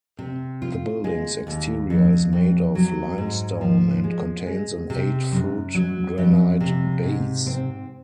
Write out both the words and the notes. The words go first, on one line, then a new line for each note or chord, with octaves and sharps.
The building's exterior is made of limestone and contains an eight-foot granite base.
C3
F4
G#3
D#2
F2
F2
F#3
G#2
F3
G#3
G#3
C3
F#2
F#3
F2
C3
G#2
C4